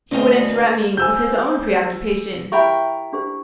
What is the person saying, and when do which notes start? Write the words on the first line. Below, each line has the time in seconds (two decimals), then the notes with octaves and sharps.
He would interrupt me with his own preoccupation.
0.11 D2 B2 G#3 C4
0.97 C5 G#5 E6 G6
2.52 E4 G4 A#4 E5 G5 B5
3.13 D4 G4 C5